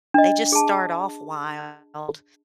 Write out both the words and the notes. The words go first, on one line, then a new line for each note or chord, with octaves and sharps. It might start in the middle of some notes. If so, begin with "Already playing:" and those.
They just start off wild.
D4 D#5
G#4 A5